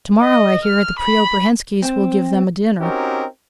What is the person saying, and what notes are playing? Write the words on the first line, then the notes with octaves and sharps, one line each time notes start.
"Tomorrow, I hear, the Preobrazhenskis will give them a dinner."
D#5
F6
B5
C4
C4 C#4 D#4 F#4 G4 A#4